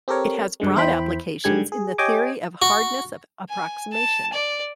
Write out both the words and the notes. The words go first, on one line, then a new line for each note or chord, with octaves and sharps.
It has broad applications in the theory of hardness of approximation.
C4 G4 A4 A#4 C#5
G2 D3 G#3
E2 E4 C5 G5 B5
G#2 D3 G3 G#4 G#6
G#4
G4 C#5 D#5 G5 G#5 D6
F#4
G#5
A5
D5